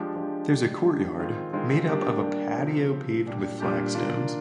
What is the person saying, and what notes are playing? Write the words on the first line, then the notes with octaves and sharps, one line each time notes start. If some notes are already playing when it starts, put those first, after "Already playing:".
There is a courtyard made up of a patio paved with flagstones.
Already playing: F3 G#3 D4 G4
F3 G#3 D4 G4
F3 G#3 D4 G4
F3 G#3 D4 G4
D#3 G#3 C4 F4
D#3 G#3 C4 F4
G3 A#3 D4 G4
G3 A#3 D4 G4
C3 F3 C4
C3 F3 C4
A#2 G3 D4 G4
A#2 G3 D4 G4
D#3 A#3 D4 F4